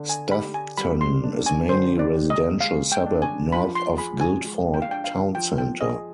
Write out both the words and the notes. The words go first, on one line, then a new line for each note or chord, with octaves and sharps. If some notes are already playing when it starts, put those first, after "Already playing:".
Stoughton is a mainly residential suburb north of Guildford town centre.
Already playing: D3
G#5
G4 B5
G#5
G3 B5
C6
D4
G#5
D3 C5
D5
G4
D#5
G#3 F5
G5
D4
G#5
F3 B5
C6
G#4 B5
G#5
G#3
G5
F5
D4 G5
F5
F3 G5
G5
G#4 D#5